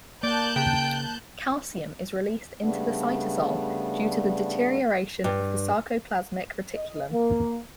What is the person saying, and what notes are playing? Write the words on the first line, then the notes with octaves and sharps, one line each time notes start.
Calcium is released into the cytosol due to the deterioration of the sarcoplasmic reticulum.
A#3 D5 A5 F#6 G6
C#3 G5
C#3 G3 A3 B3 D4
G2
D#5
A#3